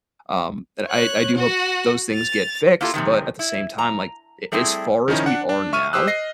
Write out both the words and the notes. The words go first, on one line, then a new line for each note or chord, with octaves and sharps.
Um, and I I do hope those things get fixed, but at the same time, like, a as far as we are now,
C#5 F#6
F#4 F#5
A6 F7
A#3 E4 F4 G4 A4
F#2 C3 D#3
E4
A#5
G3 A3 C4 E4 G#4
D#3 F3 C#4 D#4 E4
D4 F#5
D4
E5 C#6 F6 D#7
G4 C5 D#6 E6 F#6
D#5 A#6 C7